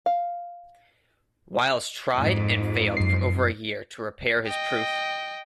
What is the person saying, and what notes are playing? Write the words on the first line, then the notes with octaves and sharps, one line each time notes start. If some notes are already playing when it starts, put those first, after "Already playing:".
Wiles tried and failed for over a year to repair his proof.
F5
F2 G#2
F#2 C7
D#5 G5